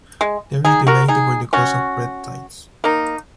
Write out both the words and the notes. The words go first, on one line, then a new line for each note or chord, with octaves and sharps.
There is debate over the cause of red tides.
G#3
D#4 G#4
F#4 A#4
D#4 G#4
C#4 F#4
A#3 D#4